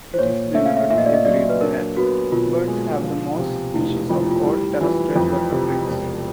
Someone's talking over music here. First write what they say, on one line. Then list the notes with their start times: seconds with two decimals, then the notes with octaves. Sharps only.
It is generally agreed that birds have the most species of all terrestrial vertebrates.
0.14 C5
0.19 A#2 C#5
0.55 A3 E5
0.66 F5
0.77 E5
0.90 A#2 E5
0.98 D#5
1.06 D5
1.14 D#5
1.25 F#3 D5
1.50 B4
1.61 D4 A#4
1.97 B3 F#4
2.32 B2 F4
2.68 G#3
3.03 F3
3.38 C3
3.74 F1 E4
4.09 F2 F4
4.21 E4
4.31 F4
4.45 G3 E4
4.81 E3 F4
5.16 F2 F4
5.52 C3
5.87 E1